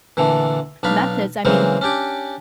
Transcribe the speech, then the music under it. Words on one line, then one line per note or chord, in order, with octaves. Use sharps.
methods. I mean,
A#2 D3 E3 A3
B1 D4 D#4 F5 B5
C#3 E3 F#3 G#3 A#3 C4
C#4 D4 G4 D6